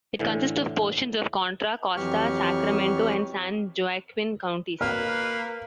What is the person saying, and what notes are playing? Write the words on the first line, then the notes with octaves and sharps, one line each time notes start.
It consists of portions of Contra Costa, Sacramento, and San Joaquin counties.
A2 D3 E3
F2 E3 F#3 G4 C#6 F6
A#3 B4 F6